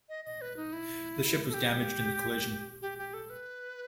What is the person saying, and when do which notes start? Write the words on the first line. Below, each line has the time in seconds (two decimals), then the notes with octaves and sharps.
The ship was damaged in the collision.
0.09 D#5
0.25 D#5
0.41 B4
0.57 D#4
0.73 E4
1.49 A4
1.54 G4
2.81 G4
2.98 G4
3.14 A4
3.30 B4